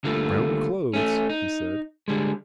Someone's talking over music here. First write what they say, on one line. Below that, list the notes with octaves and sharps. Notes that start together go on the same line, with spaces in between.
"Brown clothes?" he said.
D3 G3 A3 A#3 F4
A3 C#4
D#4
D3 G3 G#3